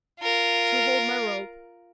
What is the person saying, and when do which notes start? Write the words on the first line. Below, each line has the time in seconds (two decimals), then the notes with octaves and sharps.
Two hold my rope.
0.21 F4 A#4